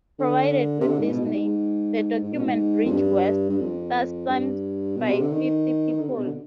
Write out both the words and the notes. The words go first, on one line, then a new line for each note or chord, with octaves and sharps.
Provided with these names, the document reached West, thus signed by fifty people.
D3
C3
D3
G#2
B2
G#2
G#2
B2
G#2
F2
G2
G2
F2
G2
B2
C3
D3
D#3
D#3
D3
C3
B2
D3